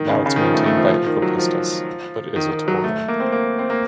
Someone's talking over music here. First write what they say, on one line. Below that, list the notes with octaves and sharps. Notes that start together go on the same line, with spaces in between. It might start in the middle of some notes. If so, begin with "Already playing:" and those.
Now it's maintained by Ecopistas, but is a toll road.
Already playing: D#3
C#3
C#3
D#3
F3
A3
A3
F3
F3
D#3
F#3
F3
D#3
D#3
F#3
A3
A#3
C4
A#3
C4
A#3